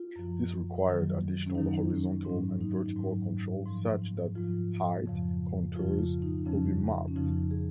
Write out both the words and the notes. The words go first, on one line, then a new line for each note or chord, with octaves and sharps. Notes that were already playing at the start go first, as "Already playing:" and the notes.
This required additional horizontal and vertical control such that height contours could be mapped.
Already playing: F4
F#2 F3
F#2 D#3 F#3
C#4
F#2 D#3 F#3 D#4
C#4
G#2 F#3 C#4
D#4
G#2 F#3
G#2 F3
G#2 F3 F4
F2 C#3 F3
F2 C#3 F3 F4
F4
D#4
F2 C#3 F3 C#4
C#4
F2 C#3 F3 D#4
G#4